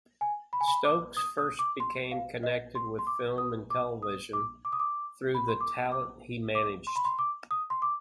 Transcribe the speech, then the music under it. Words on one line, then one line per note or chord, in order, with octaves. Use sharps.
Stokes first became connected with Film and Television through the talent he managed.
G#5
B5
G#5
B5
D6
D#6
D#6
D6
C6
F5
D#5
C6
C6
D6
D#6
D6
D#6
D6
D6
D#6
D6
B5
C6
D6
D6
D6
C6
B5
C6
D6
D#6
C6
D6